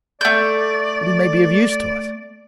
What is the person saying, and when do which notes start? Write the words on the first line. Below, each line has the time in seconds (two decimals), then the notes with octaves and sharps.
"But he may be of use to us."
0.21 A3 D5 G6